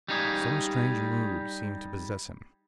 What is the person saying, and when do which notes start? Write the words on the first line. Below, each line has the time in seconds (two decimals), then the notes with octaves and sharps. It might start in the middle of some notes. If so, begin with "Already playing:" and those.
Some strange mood seemed to possess him.
0.08 G3 D#4 G#4